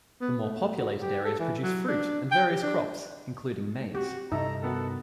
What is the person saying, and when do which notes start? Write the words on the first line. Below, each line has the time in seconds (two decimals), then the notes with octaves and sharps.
The more populated areas produce fruit and various crops, including maize.
0.21 B3
0.42 A3
0.76 F#4
1.02 G4
1.25 A4
1.39 E3
1.62 F#3
1.88 D4
2.31 G5
2.50 G4
2.63 D4
3.95 C4 F#4 G4
4.32 G2 C3 G3 D#4 E4 A4 E5 A#5
4.62 D#3 B3 F#4 A4